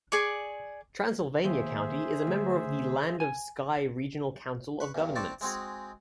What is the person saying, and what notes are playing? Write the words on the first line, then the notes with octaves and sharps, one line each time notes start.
Transylvania County is a member of the Land-of-Sky Regional Council of governments.
G#4 D5 C#6
D#2 G#4 C5 E5
D2
G#5
B4 C#6
E2 G2
C4 D4 D5 A5 C#6
G#3 C4 F#4 G#4